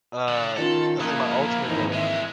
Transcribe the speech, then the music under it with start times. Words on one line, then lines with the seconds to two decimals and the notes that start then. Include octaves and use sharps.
uh, that's, like, my ultimate goal,
0.28 D5 F#5
0.57 D#3 C#4 F4 A4
1.00 F3 A#3 E4 A#5 D#6 F#6
1.67 G#1 E3 D#4
1.92 G#3 C4 E5